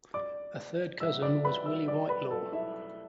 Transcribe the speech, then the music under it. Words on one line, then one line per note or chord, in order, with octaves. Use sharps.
A third cousin was Willie Whitelaw.
D5 D6
E5 E6
D5 D6
B4 B5
E5 E6
D5 D6
B4 B5
A4 A5
E4 E5